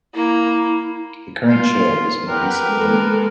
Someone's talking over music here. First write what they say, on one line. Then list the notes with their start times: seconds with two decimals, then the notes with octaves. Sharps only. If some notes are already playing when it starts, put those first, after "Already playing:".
The current chair is Maurice Limmen.
0.14 A#3 E4
1.46 F4
2.27 G4 A#4 B4 F#5 G5 B5
2.64 G#3 A4